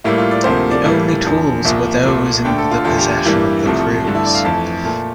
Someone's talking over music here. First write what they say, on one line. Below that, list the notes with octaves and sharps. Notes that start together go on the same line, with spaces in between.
The only tools were those in the possession of the crews.
A2 G3 A#3 E4
F4
D5
D2 C3 F3 A#3 C5
D5
A2 E3 G3 A#3
E2 D3 F3
C2 A#2 F3 A#3 E5
C2 A#2 A3
D2 D3 A3 G5
A4
F4
E2 D3 A3 F4
G4
G2 E3 G3 A#3 E4
C2 C3 F3 A3
G2 D3 A3
E4
D5
F5
F2 E3 A3 A5
A#2 A3